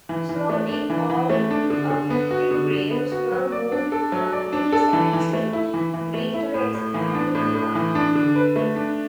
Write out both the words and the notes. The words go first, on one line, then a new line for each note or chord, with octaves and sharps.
Slowly, all of the graves were moved from the cemetery, greatly expanding the park.
E3
E3
A3
D4
E3
E3
A3
D4
D3
D3
B3
F#4
D3
D3
B3
F#4
F#3
D5
D4
A4
F#3
D5
D4
A4
E3
E3
A3
E4
E3
E3
A3
E4
A2
A2
E3
D4
A2
A2
E3
D4
D3
B4
A3
D4